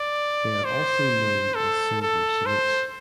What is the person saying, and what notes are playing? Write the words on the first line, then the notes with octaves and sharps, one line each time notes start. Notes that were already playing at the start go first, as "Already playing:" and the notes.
They are also known as silver salutes.
Already playing: D5
C5
A4
A4
C5